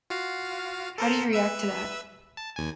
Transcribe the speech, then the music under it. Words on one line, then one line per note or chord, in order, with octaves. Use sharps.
How do you react to that?
F4 F#4 F5
A4 A#4 C5
B4 E5 E6
A5
D#2 G#5